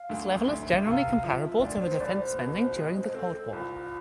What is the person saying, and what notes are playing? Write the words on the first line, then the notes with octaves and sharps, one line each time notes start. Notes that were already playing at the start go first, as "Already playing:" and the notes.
This level is generally comparable to the defense spending during the cold war.
Already playing: F5
D2
D2 E5
E5
C3 F5
F3 E5
E5
D2 D5
C5
C2 D5
C5
B2 B4
C5
G#3
C5
C4 A4
A4
C2 F4